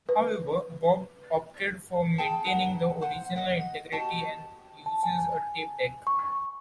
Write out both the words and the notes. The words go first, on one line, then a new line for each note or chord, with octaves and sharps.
However, Bob opted for maintaining the original integrity, and uses a tape deck.
B4
G#4 G5 A5
D#4 B4 F#5
C5 F#5
D#5 F#5
F#4 G4 D#5 A5
A5
G#5
C#6